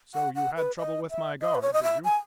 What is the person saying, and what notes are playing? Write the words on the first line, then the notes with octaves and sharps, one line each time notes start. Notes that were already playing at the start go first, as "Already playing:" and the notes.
"So you had trouble with my guard, did you?"
F#5
F#5
B4
D#5
E5
D#5
B4
C#5
D#5
E5
G#5